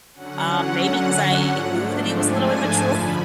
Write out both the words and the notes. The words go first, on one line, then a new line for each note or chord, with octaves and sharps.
Um, maybe 'cause I knew that he was a little immature and
D3 F#3 C#4 F#5
G#2 F3 A3 D4
G#5
A5
F#2 D3 F3 B5